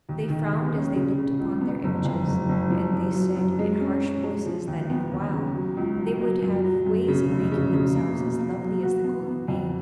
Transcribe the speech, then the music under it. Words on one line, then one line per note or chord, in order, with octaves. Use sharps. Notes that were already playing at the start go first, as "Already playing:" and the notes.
They frowned as they looked upon their images, and they said in harsh voices that in a while they would have ways of making themselves as lovely as the Golden Maid.
D#2
D#3
D#2
C#4
C#3
C#3
C#2
B3
F#1
F2
F#1
F#1
F3
F3
F#2
F#2
G#3
C#4
C#4
G#3
F3
D#2
B3
D#2
C#3
F#3
C#2
F#3
F#3
F#2
F#3
F#2
C#3
F1
C#3
C#3
A#3
B2
A#3
F#3
F#4
B3
B3
F2